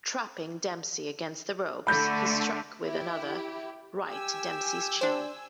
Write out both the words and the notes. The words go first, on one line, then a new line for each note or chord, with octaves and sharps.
Trapping Dempsey against the ropes, he struck with another right to Dempsey's chin.
D3 A3 B5 G6
E4 G4
G4 G#5 E6
D4 C5